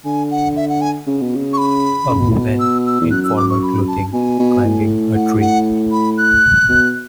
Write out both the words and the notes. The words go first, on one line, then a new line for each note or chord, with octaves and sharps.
A woman in formal clothing climbing a tree.
D3 G#5
F#5
E5
F#5
G#5
C#3
B2
C#3
C#6
B5
C#3
B2
A2
B2
E6
E6
E2
F#2 F#6
E6
D6
C#6
B5
A5
B2 G#5
B2
A2
F#5
F#5
B5
F#6
B2